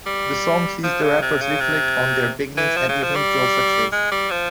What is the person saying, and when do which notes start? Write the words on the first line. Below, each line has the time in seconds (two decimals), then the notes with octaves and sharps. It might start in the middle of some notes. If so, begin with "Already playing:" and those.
The song sees the rappers reflect on their beginnings and eventual successes.
0.06 G3
0.84 F3
1.03 C#3
1.22 C3
1.41 C#3
1.60 C3
2.57 E3
2.77 F3
2.89 C#3
3.03 F3
3.15 G3
3.92 G#3
4.12 G3
4.31 F3